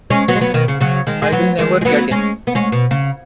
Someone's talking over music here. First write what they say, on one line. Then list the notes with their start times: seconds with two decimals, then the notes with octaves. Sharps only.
I will never get in.
0.10 G#3 C#4
0.28 F#3 B3
0.36 G#3
0.41 F#3 B3
0.54 B2 D#3
0.68 C#3
0.81 C#3 F#3
1.07 D#3 G#3
1.22 G#3
1.32 F#3 B3
1.59 D#3 G#3
1.81 G#3
1.85 F#3 B3
2.11 G#3 C#4
2.47 B3
2.55 G#3 C#4
2.72 B2
2.91 C#3